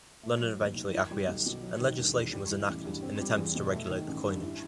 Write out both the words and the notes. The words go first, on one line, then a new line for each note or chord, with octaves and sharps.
London eventually acquiesced and legislation was enacted in attempts to regulate the coinage.
A3
F#3
D#2
D#3
D#4
G3
B1
B2
F#3
D#3
E1
E2
G3
E3
A1
G2
C4
G3
E2
B2
A3
D#3
A1
G2
E4